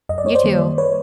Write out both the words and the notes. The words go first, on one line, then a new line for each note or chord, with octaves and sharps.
You too.
F#2 D#5
D5
C#5
C5 D5
D#3 G3 A#3
B4 C#5